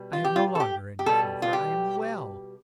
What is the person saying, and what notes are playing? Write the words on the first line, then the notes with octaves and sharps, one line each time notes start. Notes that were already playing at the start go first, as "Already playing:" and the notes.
I have no longer any fever; I am well.
Already playing: B2 G3
F4
G4
F4
A4
G4
G4
B2 G3 A4
F4
G4